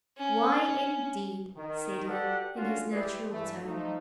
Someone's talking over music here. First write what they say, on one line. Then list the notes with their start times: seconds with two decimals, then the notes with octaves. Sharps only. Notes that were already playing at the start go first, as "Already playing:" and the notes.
"Why, indeed!" said he, in his natural tone.
0.18 C#4
1.56 D#3
2.08 F#4 G4 A4 B4 D5 F#5
2.56 C#4 D4 F4 F#4
2.92 G3 E4 G4 B4 D5
3.31 G2 E3 A3
3.65 F3 A3 D#4